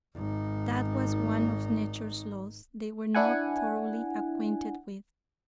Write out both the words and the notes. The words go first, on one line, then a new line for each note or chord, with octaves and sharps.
That was one of nature's laws they were not thoroughly acquainted with.
G#1 D#4
D4 E4 F#5 G#5